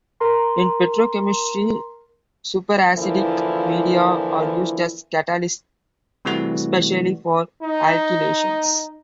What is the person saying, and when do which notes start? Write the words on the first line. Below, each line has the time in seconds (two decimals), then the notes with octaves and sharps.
In petrochemistry, superacidic media are used as catalysts, especially for alkylations.
0.20 A#4 A#5 C6
2.94 D3 E3 F3 A#3 E4 F4
6.25 C3 E3 G3 A3 F#4
7.62 D#4